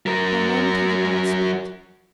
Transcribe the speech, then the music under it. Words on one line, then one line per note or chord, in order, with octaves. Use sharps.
For a moment he did not speak.
F#3 A#4